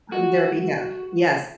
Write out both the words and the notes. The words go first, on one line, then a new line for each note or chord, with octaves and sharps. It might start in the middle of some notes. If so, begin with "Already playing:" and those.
on their behalf Yes.
F#4